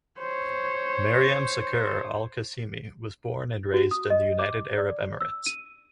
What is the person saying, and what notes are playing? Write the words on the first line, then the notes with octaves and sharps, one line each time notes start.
Maryam Saqer Al Qasimi was born and raised in the United Arab Emirates.
C5 C#5
F#4
D#6
D#5
D6
D5
E6
D#7